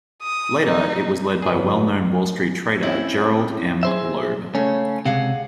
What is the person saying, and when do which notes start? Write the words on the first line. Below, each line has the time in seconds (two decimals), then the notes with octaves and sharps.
Later, it was led by well known Wall Street trader Gerald M. Loeb.
0.23 D#6
0.66 D#4
1.42 G1 F#3 G#4 B4
2.83 C4 C#4 E4
3.83 G#4 C5 E5
4.55 C#3 A3 C#4
5.05 C#2 C3 G#4 F5 F#5